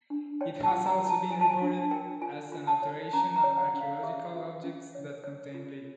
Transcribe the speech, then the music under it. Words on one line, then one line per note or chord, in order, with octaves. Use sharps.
It has also been reported as an alteration of archaeological objects that contain lead.
D4
C#5 G5
A5
F4
A#5
A#4
A5
F4 G#5
A5
G#5
D4
A#4 G5
F4 G#5
F4
A5
C#5
C#4 A#5
A#5
C#5
F#5
C#4
F5
G#4 E5
F4
C#4
C#5
C#5
F4